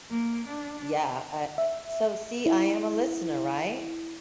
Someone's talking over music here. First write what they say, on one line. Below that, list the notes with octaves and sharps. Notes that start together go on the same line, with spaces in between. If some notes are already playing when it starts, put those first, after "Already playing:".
yeah, I, uh So see, I am a listener, right?
A#3
D4
E5
E4